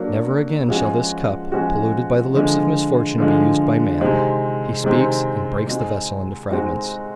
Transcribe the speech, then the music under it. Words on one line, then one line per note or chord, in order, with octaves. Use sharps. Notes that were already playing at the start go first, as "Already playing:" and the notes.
"Never again shall this cup, polluted by the lips of misfortune, be used by man." He speaks, and breaks the vessel into fragments.
Already playing: F#3 A#3 D4
F3 G#3 C#4 F#4
F3 G#3 C#4 F#4
D3 F3 G#3
D3 F3 G#3
C3 D#3 G#3 C4
C3 D#3 G#3 C4
G#3 C4 D#4 F#4
G#3 C4 D#4 F#4